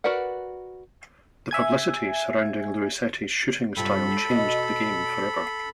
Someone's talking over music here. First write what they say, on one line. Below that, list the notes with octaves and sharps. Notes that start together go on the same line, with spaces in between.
The publicity surrounding Luisetti's shooting style changed the game forever.
F#4 A#4 B4 D5 F#5
E5 G#5 G#6
G2 C3 F4 A4 B5
B2 F#4 D#5